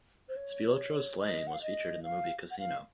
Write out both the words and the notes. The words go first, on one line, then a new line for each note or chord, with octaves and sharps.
Spilotro's slaying was featured in the movie "Casino".
C5
C#5
D#5
F#5
F5
D#5
F5
F#5
F5